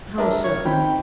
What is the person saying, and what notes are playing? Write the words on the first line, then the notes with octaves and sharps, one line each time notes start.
"How so?"
D4 A#4 B4 E5
C#5
D#3 C4 G5 B5